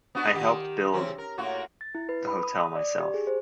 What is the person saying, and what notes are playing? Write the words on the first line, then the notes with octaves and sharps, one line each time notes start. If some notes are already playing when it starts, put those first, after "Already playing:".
I helped build the hotel myself.
B3 D4 F#4
D#3 G4
E2 C4 C#4
A#4
A2 A#3 F#4
A6
E4
B4
B5
D#6
D#6
D5
G4
G#4
C5